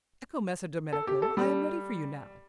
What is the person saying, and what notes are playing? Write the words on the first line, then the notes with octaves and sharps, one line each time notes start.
Ecco, Messer Domenico, I am ready for you now.
A4
G4
A4
G3